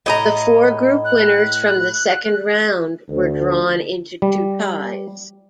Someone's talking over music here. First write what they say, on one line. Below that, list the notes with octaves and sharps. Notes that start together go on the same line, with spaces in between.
The four group winners from the second round were drawn into two ties.
A2 D#5 A#5
F#6
D2
G3